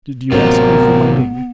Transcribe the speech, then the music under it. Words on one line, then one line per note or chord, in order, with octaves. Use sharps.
"Did you ask me for my name?"
A1 C3 F#3 B3 C4 F4 A#4